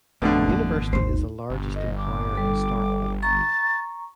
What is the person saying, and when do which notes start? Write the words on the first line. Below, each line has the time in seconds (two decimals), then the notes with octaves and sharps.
The university is the largest employer in Starkville.
0.22 G#1 F2 B2 D3 A3 D4
0.47 E3 A#3
0.93 D#2 D#4 C5
1.50 G1
1.76 D#5
1.97 D6
2.35 G3 A4
3.22 A#5 C#6 A6